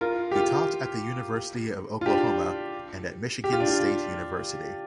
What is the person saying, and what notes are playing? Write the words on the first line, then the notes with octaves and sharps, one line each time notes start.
He taught at the University of Oklahoma and at Michigan State University.
F4 A#4
G4
F4
F4
D4 G4
G4
F4
D4
F4